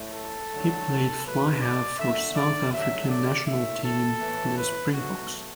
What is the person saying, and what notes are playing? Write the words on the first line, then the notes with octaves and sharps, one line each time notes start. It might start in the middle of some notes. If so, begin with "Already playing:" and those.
He played flyhalf for the South African national team, the Springboks.
Already playing: A2 A3
A4
D3 F#3 A3
B2 F#3 A3 B4
D5
D3 A3 E5
D5
D3 F#3 A3 E5
D5
A2 A3 E5
A4
A2 E3 A3
B4
B2 F#3 A3 F#4